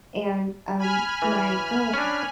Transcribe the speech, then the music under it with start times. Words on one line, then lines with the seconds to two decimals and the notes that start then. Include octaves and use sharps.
and, um, my girl
0.79 G#5 B5 F6
1.22 E3
1.93 C#4 D4